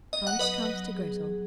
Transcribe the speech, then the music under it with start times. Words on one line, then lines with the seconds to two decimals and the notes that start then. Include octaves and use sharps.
Hans comes to Grettel.
0.12 B3 D#5
0.27 F#5
0.33 F#3
0.39 B4 D#5
0.53 F#3
0.74 F#3
0.95 G#4
1.15 G#4